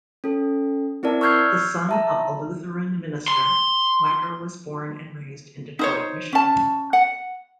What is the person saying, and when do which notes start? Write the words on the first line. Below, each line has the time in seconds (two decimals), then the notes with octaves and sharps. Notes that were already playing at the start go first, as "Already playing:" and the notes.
The son of a Lutheran minister, Wacker was born and raised in Detroit, Michigan.
0.24 C#4 A4
1.03 C4 E4 A#4 D5 A5
1.21 C#6 E6 F6 G6 G#6 C7
1.89 E5 A5 A#5
3.28 C6
5.79 D#4 C5 C#5
6.33 C#4 A5
6.93 F#5